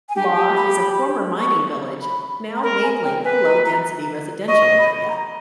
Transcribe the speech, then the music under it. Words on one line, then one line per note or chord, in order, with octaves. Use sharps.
Law is a former mining village, now mainly a low density residential area.
G#5
G4 G5
G#5
B5
B5
C#6
B5
A#5
A#4 B5
G#5
G5
B4 G#5
A#5
A#5
D#5 C#6
B5
A#5